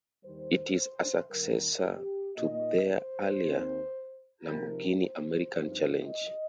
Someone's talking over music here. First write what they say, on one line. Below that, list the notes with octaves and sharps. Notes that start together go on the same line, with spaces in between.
It is a successor to their earlier "Lamborghini American Challenge".
D#2 D#3 G3 C5
C5
D#2 D#3 G3 A#4
G4
A#2 A#3 D#4 D#5
C5
D#2 D#3 C4 D#4
C3 F3 D#4 A#4
C5
G2 F3 C4 D#4
D#5